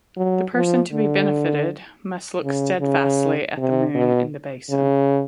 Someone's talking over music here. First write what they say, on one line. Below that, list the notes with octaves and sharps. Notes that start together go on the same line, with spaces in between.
The person to be benefited must look steadfastly at the moon in the basin.
F#3
F3
D3
C#3
C#3
C3
B2
C#3